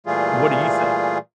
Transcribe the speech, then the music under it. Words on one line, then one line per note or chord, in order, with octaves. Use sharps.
What do you think?
A#2 E3 G3 A3 F4 G#4